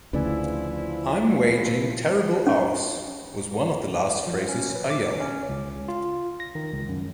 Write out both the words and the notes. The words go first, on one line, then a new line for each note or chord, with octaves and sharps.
"I'm waging terrible hours," was one of the last phrases Ayala.
D2 C#3 F3 E4 B4 D5 G#5
C#4
F3
C#4
B4
D6
C#4
C#2
F4
A#6
D#3
C#2
F#2